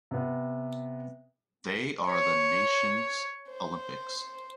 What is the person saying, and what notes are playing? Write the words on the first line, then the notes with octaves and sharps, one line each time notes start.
They are the nation's Olympics.
C3 B3
C#5
C5